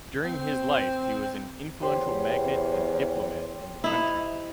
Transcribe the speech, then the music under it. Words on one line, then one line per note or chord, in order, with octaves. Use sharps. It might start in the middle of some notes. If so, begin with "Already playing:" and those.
During his life he was an influential magnate and diplomat in the country.
C4
E2 G4 C5 C#5
D#4 E4 E5